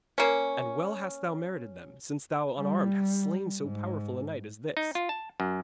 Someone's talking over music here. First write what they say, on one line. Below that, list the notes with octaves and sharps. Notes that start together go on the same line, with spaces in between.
And well hast thou merited them, since thou unarmed hast slain so powerful a knight as this.'
A#3 C#4
G3
G#2
D#4
F4
A5
F#2